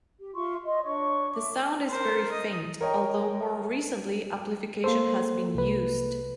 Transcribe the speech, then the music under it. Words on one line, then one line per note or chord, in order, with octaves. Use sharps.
The sound is very faint, although more recently amplification has been used.
G4
F4 E5 C6 C#6
D#5 C6
D4 C#5 C#6
E5 D6
A#4 C5
D#5
A#4 C#5 D#5 G5 A#5
A#3 A4 C5 C6
C2 B4